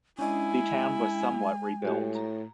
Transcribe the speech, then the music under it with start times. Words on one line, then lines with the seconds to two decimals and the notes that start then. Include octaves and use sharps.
The town was somewhat rebuilt.
0.19 G#3 C#4 D4 E4 D#5 G#5
1.85 A2 F#4 G4
2.15 A#5